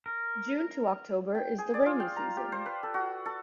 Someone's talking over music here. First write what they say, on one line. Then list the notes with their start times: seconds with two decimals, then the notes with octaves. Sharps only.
June to October is the rainy season.
0.06 A#4
1.35 G5
1.58 G#4
1.74 D5
1.86 F4
2.00 G5
2.16 A#5
2.37 G4
2.52 C5
2.66 B4
2.83 A4
2.94 F#4
3.26 A4